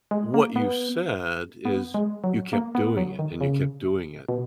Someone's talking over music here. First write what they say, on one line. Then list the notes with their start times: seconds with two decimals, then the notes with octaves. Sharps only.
what you said is you kept doing it and you kept doing it.
0.11 G#3
0.34 A#3
0.56 B3
1.65 B3
1.94 G#3
2.24 F#3
2.53 A#3
2.75 B3
2.97 F#3
3.19 D#3
3.41 C#3
4.29 B2